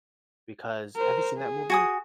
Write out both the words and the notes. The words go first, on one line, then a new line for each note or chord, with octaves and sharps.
because have you seen that movie?
A#4 C5
G#4
F#4 G#5 D#6